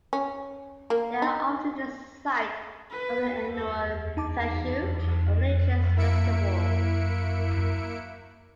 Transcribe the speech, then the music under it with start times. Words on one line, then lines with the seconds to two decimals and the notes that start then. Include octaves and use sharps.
They are often the site of an annual "tsechu" or religious festival.
0.13 C#4
0.90 A#3
1.22 D#4
2.91 B4
3.55 A4
4.17 D#4 A5 D6
5.96 A#3 E4 E5 C#7 D7